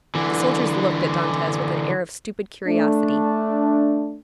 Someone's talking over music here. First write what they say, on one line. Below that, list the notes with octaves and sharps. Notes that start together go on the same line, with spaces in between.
The soldiers looked at Dantes with an air of stupid curiosity.
D3 E3
A3 D4